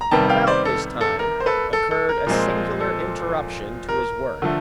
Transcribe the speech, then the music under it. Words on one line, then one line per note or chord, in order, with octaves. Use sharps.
About this time occurred a singular interruption to his work.
A#5
C3 D#3 G3 B3 G5 A5
F5 G5
C5 D5
A4
A4
A#4
C5
A4 B4
A4
A4
A#4
A#2 F3 G#3 C4
A4
A#4
D3 F3 A3